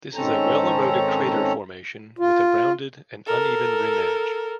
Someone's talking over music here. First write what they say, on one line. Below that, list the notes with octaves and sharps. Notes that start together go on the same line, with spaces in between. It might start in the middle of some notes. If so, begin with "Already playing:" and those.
This is a well-eroded crater formation, with a rounded and uneven rim edge.
G#2 D#3 C4 C#4 A4 A#5
F4
A4 A#4